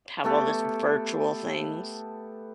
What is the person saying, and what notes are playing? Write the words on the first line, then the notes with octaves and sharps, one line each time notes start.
have all this virtual things.
A3 B3 G4 A4